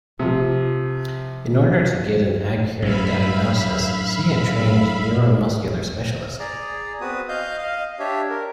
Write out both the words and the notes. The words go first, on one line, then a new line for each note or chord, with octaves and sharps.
In order to get an accurate diagnosis see a trained neuromuscular specialist.
C3 F3
F#2 A2 D3 E5 F5 B5
G#4 D5 A#5
B3 C4 F#4 B4 D#6
D#5 F5 G6
D#5 F5
D4 G4 C#5 E5
A#4